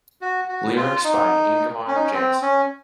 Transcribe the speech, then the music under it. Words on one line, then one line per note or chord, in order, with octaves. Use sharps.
Lyrics by Ingemar Jansson.
F#4
F#4
F4
D#4
C#4
D#4
C#4
C4
C#4